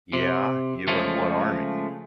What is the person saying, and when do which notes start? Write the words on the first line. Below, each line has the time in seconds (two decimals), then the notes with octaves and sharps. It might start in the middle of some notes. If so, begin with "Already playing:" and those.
Yeah, you and what army?
0.13 C3
0.88 C#3 F3 G#3 A3